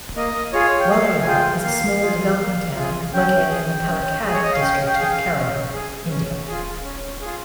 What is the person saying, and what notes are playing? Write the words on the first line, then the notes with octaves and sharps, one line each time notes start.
Walayar is a small developing town, located in the Palakkad district of Kerala, India.
A#3 D#5
F4 G#4 C#5
G5
A#3 F5
G#5
F4 G#4 G5
A#3 F5
F4 G#4
A#3
F4 G#4
C#4 G5
G#4
C#4
G#4
C#5
D#5
F5
C#4 G5
G5
F5
G#4 G5
F5
C#4
G#4
C#4
F4 G#4
C#4
F4 G#4